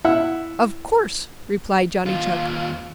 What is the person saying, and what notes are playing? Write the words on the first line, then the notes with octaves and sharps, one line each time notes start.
"Of course," replied Johnny Chuck.
E4 E5 F#5
D#2 F4